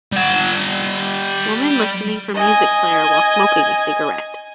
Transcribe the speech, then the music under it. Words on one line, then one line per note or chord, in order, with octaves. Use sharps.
Woman listening for music player while smoking a cigarette.
G3 F#5
D#5 G#5